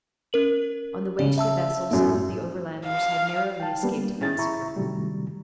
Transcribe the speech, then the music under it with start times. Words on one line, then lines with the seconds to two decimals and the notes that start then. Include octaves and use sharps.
On the way to the vessel some of the Overlanders had narrowly escaped a massacre.
0.33 C#4 A#4 F#7
1.19 C#3 D5
1.38 E5 A5 E6
1.91 F#2 A2
2.86 F5
3.60 G5 A5
3.83 G3 A#3 B3 D4
4.21 A2 C#4 E4 G#4 A6
4.39 E4 A#5 C#6
4.76 A2 C3 D#3 F#3 G3 A3